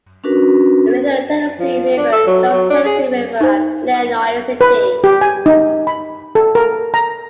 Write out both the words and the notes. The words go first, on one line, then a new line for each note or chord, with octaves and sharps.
The Little Tennessee River joins the Tennessee River at Lenoir City.
C#4 D4 F#4 A#4 B4
F3
D4
A4
F#3
F#3
D4
G#4
D#4 C5
B4
G4
G#5
D#4
B5
A4
A#4
A#5